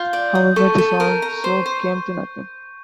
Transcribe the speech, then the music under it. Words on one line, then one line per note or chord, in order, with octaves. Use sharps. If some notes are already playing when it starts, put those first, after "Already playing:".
However, this also came to nothing.
Already playing: F4 G6
D5
D#6
A4 C#6
A4
A#4
A#5
C5
C5